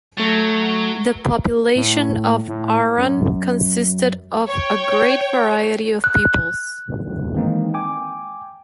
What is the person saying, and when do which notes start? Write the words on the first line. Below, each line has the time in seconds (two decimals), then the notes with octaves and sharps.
The population of Arran consisted of a great variety of peoples.
0.17 F#3 A3 A6
1.76 A2
2.48 A2
2.97 F#2
4.47 C#5 G5
6.04 F#6
7.34 D#3 E3 G#3 A#3 C4 D#4
7.74 G5 G#5 D6